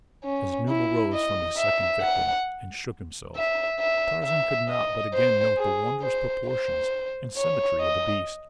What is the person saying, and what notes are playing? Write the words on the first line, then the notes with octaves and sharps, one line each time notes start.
As Numa rose from his second victim and shook himself, Tarzan could not but again note the wondrous proportions and symmetry of the beast.
C#4
E4
D#5
E5
F#5
E5
E5
E5
D#5
C5
G#4
C5
C5
C#5
D#5